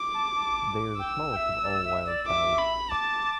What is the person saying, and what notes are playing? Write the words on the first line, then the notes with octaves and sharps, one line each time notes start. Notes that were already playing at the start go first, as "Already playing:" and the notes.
They are the smallest of all wildfowl.
Already playing: D6
A5
A5
G5 E6
G5
E5
D5
E5
D5
E5 D6
B5
A5 D6